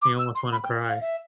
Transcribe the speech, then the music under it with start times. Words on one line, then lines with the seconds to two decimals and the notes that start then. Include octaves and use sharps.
me almost wanna cry.
0.02 D6
0.19 E6
0.35 C6
0.52 B5
0.63 G5
0.89 F5
1.01 E5